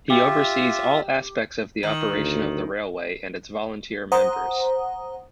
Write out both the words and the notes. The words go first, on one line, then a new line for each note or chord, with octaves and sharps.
He oversees all aspects of the operation of the railway and its volunteer members.
F4 G4 E5
D#3
D2
C5 F#5 A#5 D#6